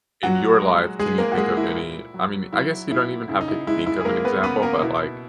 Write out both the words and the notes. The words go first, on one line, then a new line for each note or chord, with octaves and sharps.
in your life, can you think of any I mean, I guess you don't even have to think of an example, but, like,
A#2 F#3 F#4
G#3
G#3 G#4
A#3 A#4
F#4
A#2 G#3 G#4
E4
A#2
F#3
F#3 E4
A#2 E4
C#3 E4
D#4
E4
G#3 E4
E4
G#4
G#3 A#3 A#4
B3 B4
C#3 B3 B4
A#3 A#4
B2 E4